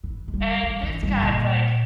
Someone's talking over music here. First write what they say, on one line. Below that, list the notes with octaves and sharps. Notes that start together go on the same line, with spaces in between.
and this guy's, like,
E3
G#3
G3
G3
E3
G2
A#2